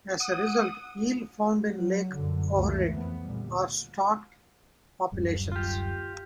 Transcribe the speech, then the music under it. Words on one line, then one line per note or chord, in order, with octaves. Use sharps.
As a result, eel found in Lake Ohrid are stocked populations.
F#5 D#6
F#3
G1 F#2 A#2 D3
C#2 E3 A3 A#3
F2 B3
D2 A#2 G3
D1 F#2 G3
F4 G4